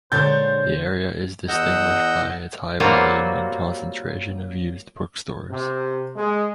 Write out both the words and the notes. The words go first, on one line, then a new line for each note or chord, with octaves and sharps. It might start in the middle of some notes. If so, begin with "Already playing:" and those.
The area is distinguished by its high volume and concentration of used bookstores.
A#2 D3 G#3 D4 C5 C#5 G6 A6
E2 D#5 F#5 E6 G6
F#3 G3 A#3 C4 F4 F#4
C3
G#3